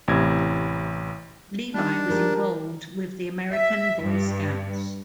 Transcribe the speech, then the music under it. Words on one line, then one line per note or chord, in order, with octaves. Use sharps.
Levy was involved with the American Boy Scouts.
A1 C3 E4 G#6
D#3 G3 D4
F3 G#3 G4 A#4
E5
G2